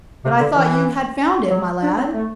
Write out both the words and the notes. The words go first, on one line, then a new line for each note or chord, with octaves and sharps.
"But I thought you had found it, my lad!"
C3
D3
E3
F#3
D4
C4
A3